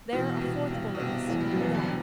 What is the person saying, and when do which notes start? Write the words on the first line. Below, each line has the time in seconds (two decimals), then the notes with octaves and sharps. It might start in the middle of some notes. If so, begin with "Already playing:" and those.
There a fourth bullet missed him, again.
0.13 B2 E3
0.37 C3
0.41 G2 B2
0.70 G2 C3
0.95 B2
0.99 C3 B3
1.28 A1
1.40 G3
1.51 F#3
1.57 B3
1.63 E3
1.74 D3
1.86 C3